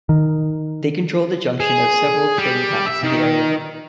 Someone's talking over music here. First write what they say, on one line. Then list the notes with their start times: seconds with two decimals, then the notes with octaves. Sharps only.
They controlled the junction of several trading paths in the area.
0.09 D#3
1.60 G#4
2.38 G3
2.86 E5
3.04 D#3